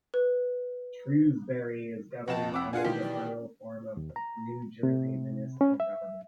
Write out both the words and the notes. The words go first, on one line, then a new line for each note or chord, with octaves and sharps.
Shrewsbury is governed under the Borough form of New Jersey municipal government.
B4
F1 F2 F#4 D#5 A5 E7
C4 E4 F#5 D6
D4 F4 G#4 F5 F#5 G#5
B2 D#3 E3 G4
D5
D#2
A#5
C3
C#4
E5